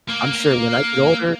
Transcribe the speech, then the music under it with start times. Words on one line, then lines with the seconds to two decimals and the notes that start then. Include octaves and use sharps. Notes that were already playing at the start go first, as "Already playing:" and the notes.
I'm sure when I get older,
0.08 A#3